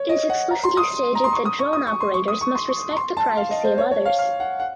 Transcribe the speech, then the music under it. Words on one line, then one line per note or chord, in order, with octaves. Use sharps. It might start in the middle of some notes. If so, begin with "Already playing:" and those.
It is explicitly stated that drone operators must respect the privacy of others.
Already playing: C#5
D#5
F#5
A#5
C6
D#6
A#5
C6
C#6
D#6
C#6
D#6
C#6
C6
C#6
D#6
C#6
C6
C#6
C#6
C6
A5
F5
D#5
C5
C#5
C#5
F5
F5
F#5
F#5